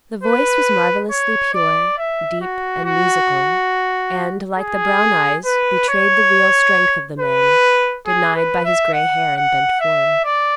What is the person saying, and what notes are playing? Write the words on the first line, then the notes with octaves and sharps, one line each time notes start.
The voice was marvelously pure, deep, and musical, and, like the brown eyes, betrayed the real strength of the man, denied by his gray hair and bent form.
B4
C#5
D5
E5
F#4
F#4
G#4
B4
C#5
B4
G#4
B4
E5
F#5
F#5
E5
D5